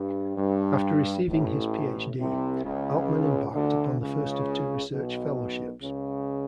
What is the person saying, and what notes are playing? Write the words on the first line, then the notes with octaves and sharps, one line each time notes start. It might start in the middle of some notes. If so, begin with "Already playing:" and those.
After receiving his Ph.D., Altman embarked upon the first of two research fellowships.
Already playing: G2
G2
A1 A2
C2 C3
C#2 C#3
D2 D3
C#2 C#3
B1 B2
C#2 C#3